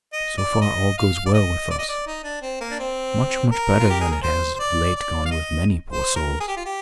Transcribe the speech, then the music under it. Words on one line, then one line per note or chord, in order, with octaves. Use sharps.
So far all goes well with us--much, much better than it has of late gone with many poor souls.
D#5
D5
D#5
F5
D5
D#5
D5
D#5
D5
D#4
D4
C4
A#3
D4
C4
A#4
F4
G4
G#4
A#4
C5
C5
D5
D5
F5
D#5
C5
A#4
G#4
G4
F4
G4